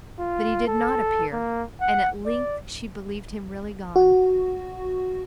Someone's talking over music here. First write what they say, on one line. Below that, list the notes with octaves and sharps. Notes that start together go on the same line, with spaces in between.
But he did not appear, and at length she believed him really gone.
F4
A4
A#3
F#5
D5
F#4